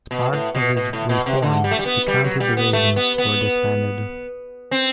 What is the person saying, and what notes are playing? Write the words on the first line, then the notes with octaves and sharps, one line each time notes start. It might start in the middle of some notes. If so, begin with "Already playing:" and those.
As part of this reform, the County Divisions were disbanded.
B2
A2
B2
B2
A2
B2
C3
D3
G3
A3
G3
B3
G3
F#3
G3
B3
A3
B3
B3
C4